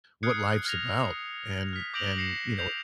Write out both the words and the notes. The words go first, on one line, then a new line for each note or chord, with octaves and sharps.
what life's about. And and, you know,
D#6 F6 F#6 G#6 C7 C#7
F6 G#6 A#6 F7
F6 B6
D6 G6 A#6 D7 F7 F#7
A#6 C7 C#7 E7
G6 C7 F7